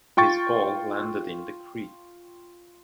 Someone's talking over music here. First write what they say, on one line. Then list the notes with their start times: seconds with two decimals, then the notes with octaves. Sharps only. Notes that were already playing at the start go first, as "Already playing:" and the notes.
His ball landed in the creek.
0.17 F4 G5 C#6 A6